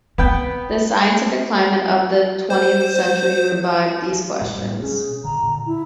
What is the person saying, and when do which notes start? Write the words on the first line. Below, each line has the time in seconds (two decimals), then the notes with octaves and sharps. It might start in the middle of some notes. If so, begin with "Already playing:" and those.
The scientific climate of the twentieth century revived these questions.
0.18 B3 C4 B4 G5
2.50 C5
4.42 A#2
4.55 A2 G3
4.80 B2 C#4 G#4
5.24 A#2 D3 A#5
5.43 A#2 D3
5.66 E4